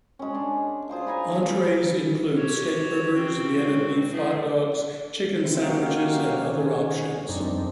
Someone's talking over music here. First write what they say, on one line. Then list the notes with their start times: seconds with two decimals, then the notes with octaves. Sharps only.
Entrees include steakburgers, Vienna Beef hot dogs, chicken sandwiches and other options.
0.19 G#3 C#4
0.35 D4
0.89 F4 G#4 C5 F5
1.07 G#5 A#5 B5
2.36 F#4 G4 C#5
3.13 C#3 C4 F#4
3.55 C#2
4.12 E3 F3 A3 G#4
5.45 C4 E4
5.62 A#3 C#4 D#4 F#4 G4 F5
6.46 D#3 C#4 G#4
7.29 F#2 C4 D4 D#4